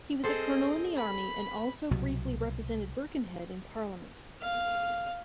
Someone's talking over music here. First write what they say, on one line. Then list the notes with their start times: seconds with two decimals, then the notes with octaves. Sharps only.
He was a colonel in the army and also briefly represented Birkenhead in Parliament.
0.24 C4 G#4 A4 C5 D#5
0.96 B5
1.91 C2 B2 F#3
4.42 F5